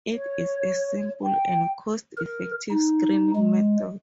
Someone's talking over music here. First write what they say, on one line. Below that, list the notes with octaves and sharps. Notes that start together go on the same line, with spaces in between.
It is a simple and cost effective screening method.
C#5
G5
A#4
D#4
G#3